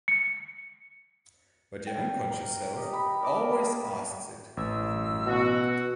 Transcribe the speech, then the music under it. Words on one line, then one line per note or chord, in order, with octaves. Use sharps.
But your unconscious self always asks it of me.
C#7
G5
A#4
G4 D#5
B5
A#4 D5 D6
A#4 A5 B5 D#6
A1 E6
B2 F#4